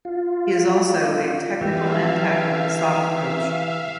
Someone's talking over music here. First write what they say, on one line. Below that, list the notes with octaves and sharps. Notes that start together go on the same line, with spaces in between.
He is also a technical and tactical soccer coach.
F4
E3 G4 E5 F5